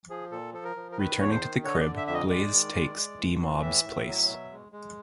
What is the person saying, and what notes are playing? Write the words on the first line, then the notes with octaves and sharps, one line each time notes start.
Returning to the crib, Blaze takes D-Mob's place.
F3 G#4
A#2 A4
F3 A4
A#4
F3
A#4
D#3 B4
E2 C#5
C5
D#3
D3 C#5
D#5
D5
D3
E5
F2 E5
D#5
G#3 D5
D#3
G#3
G#3
E3
E3
A2 E5
A2
F#3
B2
G#3
G#3